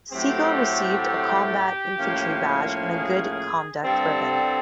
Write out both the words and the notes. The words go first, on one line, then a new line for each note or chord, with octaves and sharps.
Siegel received a Combat Infantry Badge and a Good Conduct ribbon.
A2 F#3 A3 C4 G4
A2 F3 A#3 C#4
G#4
G2 D3 G3 C4 A4